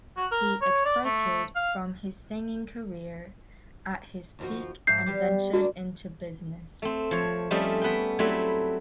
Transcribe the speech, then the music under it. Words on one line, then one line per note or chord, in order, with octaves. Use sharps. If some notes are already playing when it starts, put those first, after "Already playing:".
He exited from his singing career at his peak and ventured into business.
F#4
A#4
C#5
D5
A3
F5
D#2 F3 F#4
G#2 F3 E5 G6 C7
G3 B3 G4
A3 A#3 D4 F#4
A3 C4
F3 C#5
F3 G3 A3 C4 C#4 D#5
B3 B4 E5 G5
F#3 G3 A3 C4 E4 B4